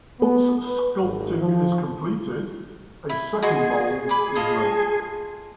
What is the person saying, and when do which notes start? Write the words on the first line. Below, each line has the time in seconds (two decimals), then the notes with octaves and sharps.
Once sculpting is completed, a second mold is made.
0.20 B3
0.66 B4
1.02 G#1
1.41 F3
3.09 E4 E5
3.43 F#4 G#4 D#5 C6
4.09 B5 D6
4.36 F4 A4 D#5